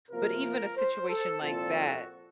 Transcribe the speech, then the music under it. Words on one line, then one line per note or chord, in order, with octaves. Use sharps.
but even a situation like that,
C3 F3 A#3 F4 A#4
C5
A4
C2 A#2 F3 C4 F4 A4
F#4